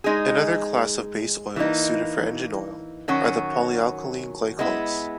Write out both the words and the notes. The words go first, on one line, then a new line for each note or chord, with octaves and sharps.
Another class of base oils suited for engine oil are the polyalkylene glycols.
G#3 D#4 G#4
E3 A#3 D#4
D#3 F#3 C#4 F#4
G#3 B3 E4